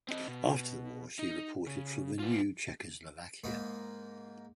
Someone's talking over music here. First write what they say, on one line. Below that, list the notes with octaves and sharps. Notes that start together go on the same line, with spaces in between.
After the war she reported from the new Czechoslovakia.
C4 D#5
B2
D#4
C#3
B3 F4
G#2 A#3 D#4 B5